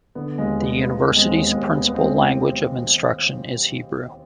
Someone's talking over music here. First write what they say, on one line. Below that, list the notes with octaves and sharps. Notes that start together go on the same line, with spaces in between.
The university's principal language of instruction is Hebrew.
D3 B3
D#2 G#3
G3 B3
G3 B3
B3
D#2
G#3 C4
D#2 B3
D#2 G#3
G3 B3
B3
G#3 C4